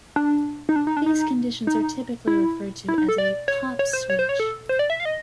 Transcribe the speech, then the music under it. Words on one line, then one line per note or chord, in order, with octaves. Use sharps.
These conditions are typically referred to as a "pop switch".
D4
D#4
D4
D#4
D4
D#4
D#4
E4
E4
D#4
A4
D5
C#5
C#5
C5
C#5
C5
C#5
A4
C5
D5
E5
F5
D#5